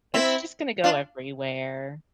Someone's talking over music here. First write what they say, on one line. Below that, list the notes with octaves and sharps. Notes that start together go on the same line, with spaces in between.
It's just gonna go everywhere.
C4 E4
D4 F4